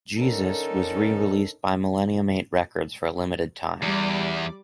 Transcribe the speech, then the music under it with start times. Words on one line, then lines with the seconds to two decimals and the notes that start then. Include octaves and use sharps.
"Jesus" was rereleased by Millennium Eight Records for a limited time.
0.18 D3 C#4 D#4 A4 A#4
3.82 E2 G3 D5 D6